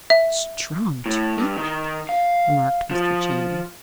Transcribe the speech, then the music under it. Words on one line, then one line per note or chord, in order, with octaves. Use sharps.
"Strong treatment!" remarked Mr. Channing.
E5
A2
G2
D#3
F5
F3